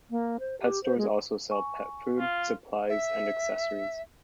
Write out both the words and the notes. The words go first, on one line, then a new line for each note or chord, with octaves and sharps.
Pet stores also sell pet food, supplies, and accessories.
A#3
C5
G4
C5
G#3
G#5 C#6
F4
E5